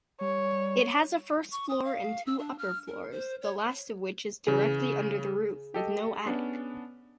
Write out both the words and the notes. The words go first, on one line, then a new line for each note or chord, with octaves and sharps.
It has a first floor and two upper floors, the last of which is directly under the roof, with no attic.
G3 C#5
C#6
D#6
F5
E6
D4
F6
A#4
C5
C#5
C#3 E3 G#4
G4 A4 D#5
B3 C#4 D4